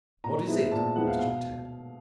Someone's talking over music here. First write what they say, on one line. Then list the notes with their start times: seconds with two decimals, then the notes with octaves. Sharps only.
"What is it?" questioned Tad.
0.24 A#2 A#5
0.47 F3 G#3 B3 E4
0.71 A#2 A5
0.95 F3 G#3 B3 E4 F#5
1.08 F5
1.19 B2 F5